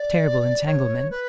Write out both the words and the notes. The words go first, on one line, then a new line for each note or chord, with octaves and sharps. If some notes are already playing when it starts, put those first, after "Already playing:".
Terrible entanglement!
Already playing: D5
C#5
B4